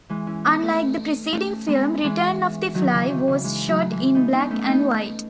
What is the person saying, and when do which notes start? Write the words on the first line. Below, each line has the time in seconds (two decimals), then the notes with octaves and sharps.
Unlike the preceding film, "Return of the Fly" was shot in black and white.
0.09 E3 G#3
0.27 C#4 E4
0.44 B3 D#4
0.62 A3 C#4
1.33 A3 C#4
1.68 G#3 B3
2.04 E3 G#3
2.74 D#3 F#3
2.92 C#3 E3
3.04 C#3
3.10 D#3
3.27 C#3 E3
3.44 E3 G#3
3.68 F#3 A3
3.91 E3 G#3
4.15 B3 D#4
4.32 B3 D#4
4.51 A3 C#4
4.67 B3 D#4